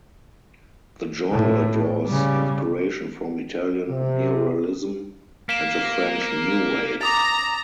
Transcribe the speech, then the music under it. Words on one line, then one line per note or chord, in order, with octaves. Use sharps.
The genre draws inspiration from Italian neorealism and the French New Wave.
A2
C#3 G3
C3
A#3 B6 E7
A#5 D6 D#6 A6